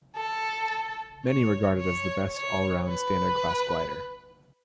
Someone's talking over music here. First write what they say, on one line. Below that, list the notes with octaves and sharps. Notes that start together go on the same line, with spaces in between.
Many regard it as the best all-round standard class glider.
A4
C#5
C#5
C#5
B4